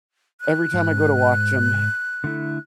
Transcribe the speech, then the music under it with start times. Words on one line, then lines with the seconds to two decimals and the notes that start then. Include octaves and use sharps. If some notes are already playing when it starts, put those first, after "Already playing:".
every time I go to watch 'em,
0.41 F#6
0.74 G#2
2.24 D3 A3 E4